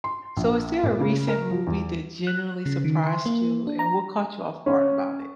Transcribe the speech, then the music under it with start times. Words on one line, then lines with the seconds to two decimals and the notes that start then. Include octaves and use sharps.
So, is there a recent movie that generally surprised you, and what caught you off guard about it?
0.04 C6
0.37 A#1
0.83 A#2
1.00 C#3
1.28 A#4
1.51 F3
1.67 E2
2.27 F#6
2.66 C#3
2.84 D#3
3.06 C6
3.26 A#3
3.67 D4
3.79 A#5
4.66 C#4